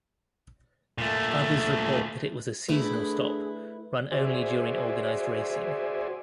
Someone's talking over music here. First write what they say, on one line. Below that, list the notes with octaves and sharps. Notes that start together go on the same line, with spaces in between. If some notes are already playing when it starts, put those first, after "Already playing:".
Others report that it was a seasonal stop, run only during organised racing.
A#2 A3
D3 A3 E4 G#4 B4
F#4 G#4 C5 D5 E5 G#5